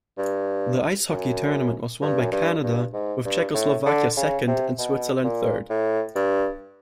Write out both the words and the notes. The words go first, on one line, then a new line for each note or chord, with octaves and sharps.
The ice hockey tournament was won by Canada, with Czechoslovakia second and Switzerland third.
G2
F#2
G2
F#2
G2
G2
G#2
G2
A2
D3
C#3
C3
B2
A#2
A2
G2